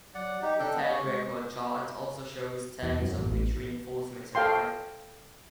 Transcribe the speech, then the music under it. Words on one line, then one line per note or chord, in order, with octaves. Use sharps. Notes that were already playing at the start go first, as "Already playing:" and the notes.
The turn record chart also shows turns on which reinforcements arrive.
F#3 D5 F#5
D#4 G4 D#5
D4 A4 G5
B3
G4 C#6
G#3
E2
F#2
A1
A1
A4 F5 G5 C6